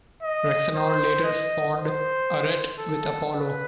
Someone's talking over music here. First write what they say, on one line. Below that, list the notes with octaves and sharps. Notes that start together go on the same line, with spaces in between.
Rhexenor later spawned Arete with Apollo.
D#5
C5
D#5
C5
A4
B4